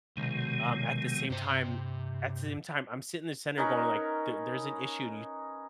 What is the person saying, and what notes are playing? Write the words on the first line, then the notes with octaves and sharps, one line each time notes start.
Um, at the same time at the same time, I'm sitting in the center going like, there there's an issue and you
B1 C3 D#3 G#3
G2 C3 C5
C#4 D#4 A#4 B4